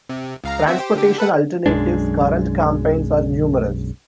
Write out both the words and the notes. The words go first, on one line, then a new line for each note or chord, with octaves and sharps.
Transportation Alternatives' current campaigns are numerous.
C3
C#2 F5 A#5
C4 F#4 E5
G4 C5
D3 G4
A4 B4 F#5
B1 F#2 G#3 D4